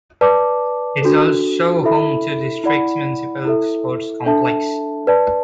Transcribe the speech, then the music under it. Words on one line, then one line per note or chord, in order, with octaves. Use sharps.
It is also home to the district's municipal sports complex.
B4 D5 A5 D6
D4 F#4 A4
E4 A4 E5 B5
E4 D5 F#5 B5
E4 A4 E5
D4 A4 E5 A5
B4 D5 A5